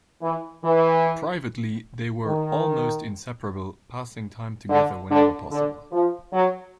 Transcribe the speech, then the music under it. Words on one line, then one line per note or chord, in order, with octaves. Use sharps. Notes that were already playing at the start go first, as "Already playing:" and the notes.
Privately, they were "almost inseparable", passing time together whenever possible.
E3
E3
D#3
D3
D3
D3
F3
F#3